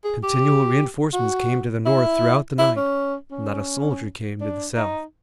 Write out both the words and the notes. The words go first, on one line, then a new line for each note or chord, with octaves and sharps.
Continual reinforcements came to the North throughout the night, not a soldier came to the South.
G#4
G4
F#4
E4
E4
C#4
C#4
D4
D#4